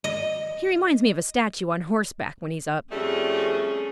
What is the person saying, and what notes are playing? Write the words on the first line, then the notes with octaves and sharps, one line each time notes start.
He reminds me of a statue on horseback, when he's up.
D#5
F2 G3 A3 C#4 G#4